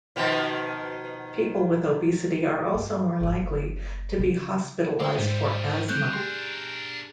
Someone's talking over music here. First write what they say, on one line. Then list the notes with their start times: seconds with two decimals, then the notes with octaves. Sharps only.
People with obesity are also more likely to be hospitalized for asthma.
0.16 B2 D#3 F3
2.75 G2
3.20 G#1 E3
3.39 F#1
4.19 C#3
5.00 G#3 A3 C5 G5 D#6
5.18 G#2 G3 G#3
5.89 F#3 G3 A3 C4 G4 F#6 G6
6.13 D4 G4 G#4 A#4 C6